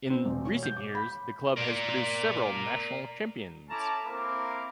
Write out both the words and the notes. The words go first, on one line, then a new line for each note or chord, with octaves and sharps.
In recent years the club has produced several national champions.
C4
E1
C#5
G6
D6
B5
A#4 D5
C#4 E4 A4 A5 A#5 D6
A#3 C4 E4 A#4 D6